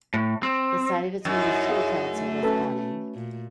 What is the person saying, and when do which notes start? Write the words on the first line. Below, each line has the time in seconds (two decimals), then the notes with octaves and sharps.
The site of its municipal council was Auning.
0.14 A2
0.43 C4
1.25 F#2 D#4 E4 F#4
1.69 G#4 F5
2.12 A3
2.43 C#4 A4 B4
3.14 A#2